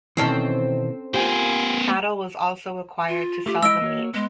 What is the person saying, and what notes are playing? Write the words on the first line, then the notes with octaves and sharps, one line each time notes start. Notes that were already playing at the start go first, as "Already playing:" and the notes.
Cattle was also acquired to sell the meat.
B2 D#3 E3 C4 C#4 A4
A#3 B3 F4 G4 C5 G#5
F4
A3 F4 G4
G#3 E4 D#5 E6 D7
A#3 F#4 C#5
G#3 B3